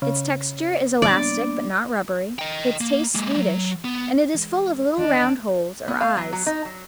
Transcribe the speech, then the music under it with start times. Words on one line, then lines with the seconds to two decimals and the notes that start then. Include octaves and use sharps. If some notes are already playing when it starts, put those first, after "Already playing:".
Its texture is elastic but not rubbery, its taste sweetish, and it is full of little round holes or eyes.
0.02 C#3
1.02 G3 A#3 B3 D4 D5
2.39 D#5 G5
2.81 A#3
3.15 G#3 A#3
3.37 F#3
3.84 B3
4.34 E3 G#3
4.98 D#2 E3 D4 D#5
5.88 B3
6.01 F5
6.17 F#3
6.33 F#3
6.46 D#4
6.65 F#3